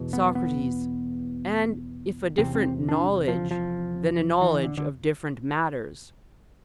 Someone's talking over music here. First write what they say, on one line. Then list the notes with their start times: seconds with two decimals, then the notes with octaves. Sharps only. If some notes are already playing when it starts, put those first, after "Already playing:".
SOCRATES: And if a different knowledge, then a knowledge of different matters?
Already playing: E2 B2
0.13 B3
0.35 B3
2.37 E2 C3 C4
2.55 C4
2.89 D4
3.28 F3
3.51 F3
4.41 E3
4.63 D3
4.77 D3